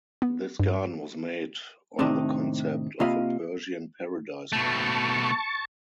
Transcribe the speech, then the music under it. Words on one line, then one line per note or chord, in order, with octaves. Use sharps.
This garden was made on the concept of a Persian paradise garden.
B3
G2
A2 C3 D#3 D4 D#4
C3 A#3 F4 D#5 F5 B5
B2 A3 A5 C#6